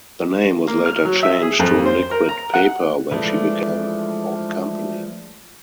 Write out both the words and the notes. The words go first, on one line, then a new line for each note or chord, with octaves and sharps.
The name was later changed to Liquid Paper when she began her own company.
A#3
F6
F#3
E5
G#4
F2
C5
A#4
A#5
F#5
E3 F3 G#3 A3 D4